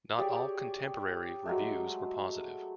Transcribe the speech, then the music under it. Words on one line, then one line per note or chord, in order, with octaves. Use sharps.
Not all contemporary reviews were positive.
G4 G#4 C#5 D5
F#3 G#3 A3